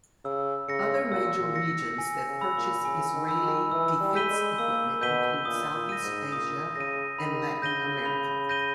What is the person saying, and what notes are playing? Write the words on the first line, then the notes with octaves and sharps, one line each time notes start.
Other major regions that purchase Israeli defense equipment include Southeast Asia and Latin America.
C#3 E6
C#3 A#6 C#7
A#2 E6
A#2
A#6 C#7
G#5
C#3
B5 E6
A#2
C#3 G#5
D#3
B5 E6
D#3
E3 E6
G3
G6 B6 D#7 G7
G#3
A#3 E6
B2 G6 B6 D#7 G7
A#2 D#6
A#2
A#6 D#7
G#2
A#2 D#6
C#3 A#6 D#7
D#3 B5
C#3 G6 A#6 D#7 G7
B5
G6 A#6 D#7 G7